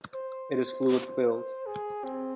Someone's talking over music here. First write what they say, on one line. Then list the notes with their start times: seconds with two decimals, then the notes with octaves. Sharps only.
It is fluid filled.
0.14 C5
0.52 C5
0.90 C5
1.66 G#4
2.04 C4